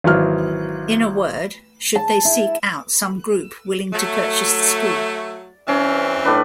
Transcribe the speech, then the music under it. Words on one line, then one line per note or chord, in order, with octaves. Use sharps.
In a word, Should they seek out some group willing to purchase the school?
G#1 E3 F#3 F6
A5
E4
F#3 A3
G2 E3 C4 C#4
A2 D4 B4